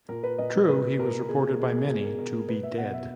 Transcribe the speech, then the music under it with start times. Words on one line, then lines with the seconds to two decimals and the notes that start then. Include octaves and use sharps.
True he was reported by many to be dead.
0.09 A#2 A#4
0.23 B4
0.38 A#2 D#5
0.68 A#2 B4
0.99 A#2 A#4
1.29 B2 G#4
1.49 A#4
1.58 B2 G#4
1.69 A#4
1.88 B2 G#4
2.03 A#4
2.18 B2 A#4
2.34 A#4
2.48 B2 B4
2.63 E5
2.78 B2 F#5
2.94 E5